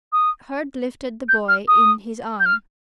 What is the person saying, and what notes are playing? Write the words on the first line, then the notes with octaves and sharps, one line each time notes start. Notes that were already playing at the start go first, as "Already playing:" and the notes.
Hurd lifted the boy in his arm.
D#6
G6
F6
D#6
G6
F6